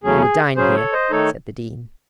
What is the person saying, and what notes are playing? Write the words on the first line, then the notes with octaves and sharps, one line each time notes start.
"He will dine here," said the Dean.
E2 C#3 F#3 A3 C#4 G#4
G#4
C#3 F#3 C#4 G#4 C5
A4 C#5
C5 D#5
D#3 A3 D#4 A4 C#5